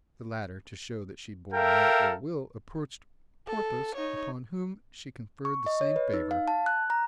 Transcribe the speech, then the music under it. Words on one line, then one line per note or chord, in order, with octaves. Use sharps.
The latter, to show that she bore no ill-will, approached Porthos, upon whom she conferred the same favor.
A4 A#4 E5 F5 G5
A4
D#4 C#5
C#6
D#5
C#5
B4
D#4
F5
A5
F#6
A#5